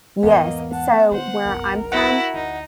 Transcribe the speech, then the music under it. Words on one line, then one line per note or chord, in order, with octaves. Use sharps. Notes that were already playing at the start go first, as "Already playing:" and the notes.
Yes, so, where I'm from
E2 G#2 A#3 B3 D#5
F#5 A5
D3 C5 F#5
F#1 C2 A#4
E4 F#4 F#5
D2 D#4